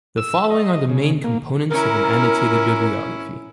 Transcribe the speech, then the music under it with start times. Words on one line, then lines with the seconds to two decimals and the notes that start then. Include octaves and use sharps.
The following are the main components of an annotated bibliography.
0.17 E6
0.50 D#5
0.73 D#5
0.90 C#3
1.24 A#3
1.70 C#4 E4 A#4